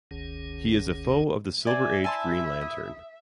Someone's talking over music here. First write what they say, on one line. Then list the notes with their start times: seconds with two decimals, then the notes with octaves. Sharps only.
He is a foe of the Silver Age Green Lantern.
0.11 F#1 D2 D#3 C#4 G#4
1.67 C5 D5 E5 G#5 D6
2.04 E4 G#5 A5 C6
2.61 D#6